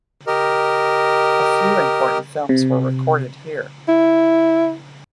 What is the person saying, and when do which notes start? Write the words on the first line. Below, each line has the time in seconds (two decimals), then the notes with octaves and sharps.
A few important films were recorded here.
0.27 G4 A#4 D#5
2.49 C3
3.88 E4